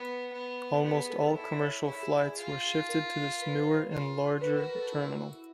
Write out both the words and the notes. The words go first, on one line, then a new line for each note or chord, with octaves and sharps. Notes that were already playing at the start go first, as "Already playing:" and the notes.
Almost all commercial flights were shifted to this newer and larger terminal.
Already playing: B3
B3
B3 G4
G#4
A4
A4
E4 C#5
C#5
E4 C#5
G#4
G#4
F4
A#4
A#4
B4
C5
C5
F4
F#4 B4
A#4
A4
E4